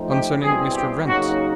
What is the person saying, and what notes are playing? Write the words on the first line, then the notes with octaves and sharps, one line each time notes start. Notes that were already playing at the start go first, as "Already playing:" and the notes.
"Concerning Mr. Wrent."
Already playing: F3 A3 C4 D#4
G4
B2 G3 C4 E4 G#4
G4
C#3 F#3 A#3 D#4 F#4